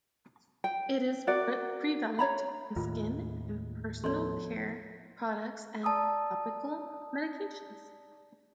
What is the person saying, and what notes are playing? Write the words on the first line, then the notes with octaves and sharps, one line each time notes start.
It is prevalent in skin and personal care products and topical medications.
G5
F#4 A#4 D5 F#5
C#5 A#5 B5
D#2 A2 F4
F3 B3 A4 C#5 D5 C6
D5 A5 A#5 D#6 E6